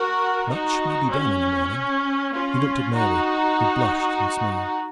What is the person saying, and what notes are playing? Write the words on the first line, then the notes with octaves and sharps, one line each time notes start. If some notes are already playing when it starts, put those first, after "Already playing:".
"Much may be done in a morning." He looked at Mary, who blushed and smiled.
Already playing: F#4 A#4
D#4 F#4
C#4
C#4 F4
D#4 F#4